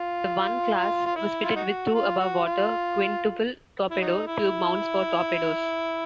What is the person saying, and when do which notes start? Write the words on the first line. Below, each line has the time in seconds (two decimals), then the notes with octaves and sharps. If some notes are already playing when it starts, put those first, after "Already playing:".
The I class was fitted with two above-water quintuple torpedo tube mounts for torpedoes.
Already playing: F4
1.06 F4
1.16 E4
1.44 F4
1.56 D#4 F#4
1.94 F4
2.20 F#4
2.46 F4
3.90 E4
4.01 F#3 D#4
4.27 E4